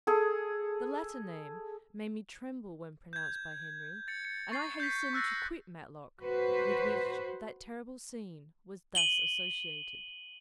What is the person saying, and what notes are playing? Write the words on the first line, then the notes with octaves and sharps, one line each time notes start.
The latter name made me tremble when pronounced by Henry, and I hastened to quit Matlock, with which that terrible scene was thus associated.
G#4 A4
G6 G#6
A6 C#7
C#7
C#6 A6 C7
G6 B6
C#6 E6 F#6 A6 A#6 C#7
F#4 B4 C5
D#7 F#7 G7